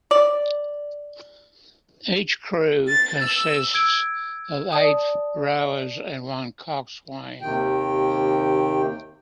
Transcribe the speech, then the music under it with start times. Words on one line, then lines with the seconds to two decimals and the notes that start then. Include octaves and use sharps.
Each crew consists of eight rowers and one coxswain.
0.11 D5
2.87 A6
3.21 E6
3.74 E6 G#6 D7
4.72 D5 A5 D#6
7.41 D#2 C3 D#3 G5